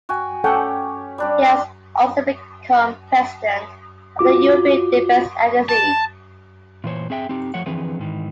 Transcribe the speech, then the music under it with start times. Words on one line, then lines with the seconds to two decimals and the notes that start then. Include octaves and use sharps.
He has also become president of the European Defence Agency.
0.09 F#4 G5 G#5
0.44 C#4 G4 A4 F#5 G5
1.18 G3 D4 G4
4.19 F4 F#4 D6
5.69 A5
6.84 A#2 E3 C5 C#5
7.10 C4 G#4 E5 G5
7.29 C4 D#4 G4
7.54 F3 A3 C#5 F#5
7.66 D3 E3 F3 C4 G#4 B4
7.99 G#2 D#3 E3